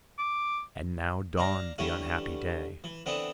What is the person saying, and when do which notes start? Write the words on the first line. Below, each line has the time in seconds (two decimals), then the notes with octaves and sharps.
And now dawned the unhappy day.
0.18 D6
1.37 D4 F5 A#5
1.78 D3 E3 G3 A3 C#4 E4
2.84 E3
3.06 D3 E3 B3 C4 D4